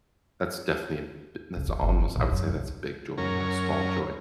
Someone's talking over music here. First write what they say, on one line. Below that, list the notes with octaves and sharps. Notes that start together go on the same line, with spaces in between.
that's definitely b that's almost I would say that's a big joy, not a small joy.
C#2
D3
G1
E4
A#1
F#2
C2
F#2 C#4 A#4